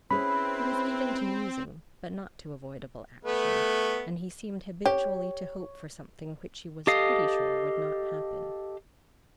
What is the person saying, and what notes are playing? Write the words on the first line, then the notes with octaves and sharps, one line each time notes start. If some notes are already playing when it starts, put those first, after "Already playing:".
He was given to musing but not to avoidable action, and he seemed habitually to hope for something which he was pretty sure would not happen.
C4 C#4 E4 G#4 B4 C5 B5
A3 B3 B4
G4 C#5
G4 A4 D#5 F5 D#6